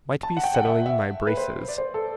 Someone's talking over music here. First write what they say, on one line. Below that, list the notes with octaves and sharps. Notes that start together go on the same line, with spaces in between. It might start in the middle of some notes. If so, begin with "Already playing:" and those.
Might be settling my braces.
A5
F#5
G5
F#5
E5
E5
B4
C5
D5
C5
A4